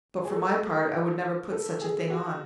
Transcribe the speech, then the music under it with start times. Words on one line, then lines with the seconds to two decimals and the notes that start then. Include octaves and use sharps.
But, for my part, I would never put such a thing on.
0.25 G#4
0.36 A4
1.52 A4
1.81 G#4
2.10 F#4